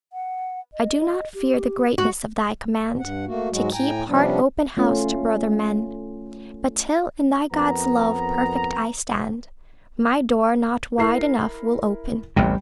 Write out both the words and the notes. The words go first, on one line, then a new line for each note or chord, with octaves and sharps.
I do not fear the greatness of thy command-- To keep heart-open-house to brother men; But till in thy God's love perfect I stand, My door not wide enough will open.
F#5
D#5
G4
G#3 F#4
G2 F#5
A3 A#3 F#4
G#2 F#3 G#3 F#4
A2 G5 G#5 A#5
C3 F3 G3 B3 C#4 D4
A3 C#4 F4
F2 B3 A#4 A#5
E4 A#4 C7
A1 E2 C3 G3 G5